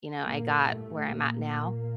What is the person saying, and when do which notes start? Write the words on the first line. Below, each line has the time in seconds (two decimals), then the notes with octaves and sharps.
you know, I got where I'm at now,
0.23 G2 A#2 A#3
0.69 A2 A3
1.14 A#2 A#3